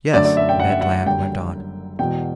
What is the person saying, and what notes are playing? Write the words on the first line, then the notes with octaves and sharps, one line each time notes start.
"Yes," Ned Land went on.
F#2 D3 A3 D5
D5
E5
G5
F#5
E5
F#5
F#1 F#2 D3 G3 G5
E1 E2 B2 G5